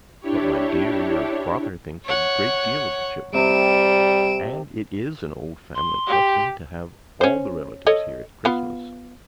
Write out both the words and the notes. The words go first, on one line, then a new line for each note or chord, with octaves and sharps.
"But, my dear, your father thinks a great deal of the Chipmunks; and it is an old family custom to have all the relatives here at Christmas."
D4 E4 G4 C#5
C#5 F#5
C3 G3 D7 E7
C6
G4
C#4 C5
A4 C#5 D#5
B3 F4